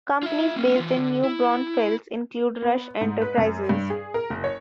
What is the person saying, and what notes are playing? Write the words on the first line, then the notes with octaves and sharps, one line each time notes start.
Companies based in New Braunfels include Rush Enterprises.
F4 E5
A#3 C#4
E3 F4
D3
E4
B3
G#2
B4
F#2
G2
G#4
A#4
F#1
C#5